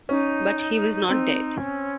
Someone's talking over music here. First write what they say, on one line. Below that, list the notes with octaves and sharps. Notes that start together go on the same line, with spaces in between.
But he was not dead.
C#4 D#4
C4 D#4
C#4